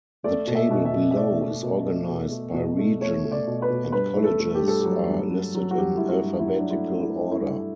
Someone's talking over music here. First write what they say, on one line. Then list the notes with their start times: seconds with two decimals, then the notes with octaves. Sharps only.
The table below is organized by region, and colleges are listed in alphabetical order.
0.24 A3 D5
0.47 B2
0.55 E5
0.70 B2
0.85 E5
0.93 B2
1.11 E5
1.16 A3 D5
1.39 A3
1.63 B2
1.86 A3
2.08 B2
2.32 A3
2.54 B2
2.78 A3
3.01 A3 C#5
3.24 A3
3.32 D5
3.47 B2
3.62 B4
3.70 B2
3.92 G2 B4
4.16 A3
4.24 A4
4.40 A3
4.55 G4
4.62 G2
4.68 A4
4.80 F#3 G4
5.08 G2
5.31 F#3
5.54 F#3
5.71 F#4
5.77 G2 G4
5.97 A3 E4
6.09 F#4
6.23 G2
6.40 E4
6.46 F#3
6.59 D4
6.70 A3 E4
6.92 A3
7.01 E4
7.16 A3
7.32 E4
7.39 G2